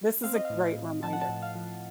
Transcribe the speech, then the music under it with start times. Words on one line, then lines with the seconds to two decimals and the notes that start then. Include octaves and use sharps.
This is a great reminder.
0.24 C4 F5
0.35 D#5
0.45 F5
0.50 A2
0.77 A2
1.03 F3 A5
1.13 F#5
1.21 A5
1.29 A2
1.42 F5
1.55 F3